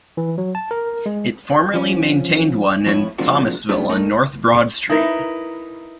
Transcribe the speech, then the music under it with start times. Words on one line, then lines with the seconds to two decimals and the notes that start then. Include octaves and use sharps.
It formerly maintained one in Thomasville on North Broad Street.
0.17 E3
0.38 F#3
0.55 A5
0.71 A#4
1.06 G#3
1.74 F3 C#4
2.86 F2 A2 E4 C#5
3.18 C3 F3 G#3 A#3 D4 F#4
3.69 G3 A3 B3 D4 G#4
3.89 G3 A3 D#4 A#4
4.89 D#4 E4 A#4 B4